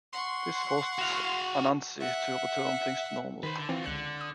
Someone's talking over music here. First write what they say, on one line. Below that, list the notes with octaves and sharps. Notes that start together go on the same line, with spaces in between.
This forced Anansi to return things to normal.
F#5 C6 C#6
F#4 F5
E5 F#5
D#3 B4 C5
D3
E3 C4 F4 F#4
C#2 D3 F#6 C#7
D#6